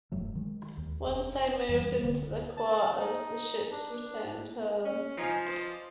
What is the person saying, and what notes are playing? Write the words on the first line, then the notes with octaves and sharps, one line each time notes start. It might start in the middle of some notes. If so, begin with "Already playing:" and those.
Once they moved into the quarters, the ships returned home.
E1 G2 F#3 A3
D#3 G#3
D#2
F1
F2 E3 G3
D1 D2 D3
A5
D#4
D4
C#4
F3 D#4 D#5 G#5
C5 D5 D#5